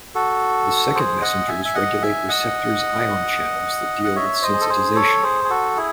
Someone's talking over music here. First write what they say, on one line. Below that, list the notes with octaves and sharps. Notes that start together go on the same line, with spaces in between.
The second messengers regulate receptors ion channels that deal with sensitization.
F#4 A4
G#4 C5
D#5 F#5
E5 G#5
E5
D#5 F#5
E5 G#5
D#5 F#5
F#5
C#5 E5
C5 D#5
G#4
A4
G#4 C5
A4 C#5
G#4 C5
G#4
F#4 A4
E4 G#4